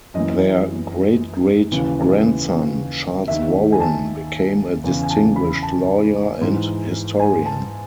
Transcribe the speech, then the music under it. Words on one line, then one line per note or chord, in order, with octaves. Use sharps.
Their great-great grandson, Charles Warren became a distinguished lawyer and historian.
F#2 E3 D#5
D#2 C#3 E3
D#2 D#3 E5
G#5
A5
E2 C#3 E3
G#5
A5
B5
A5
G#2 E3
G#5
A5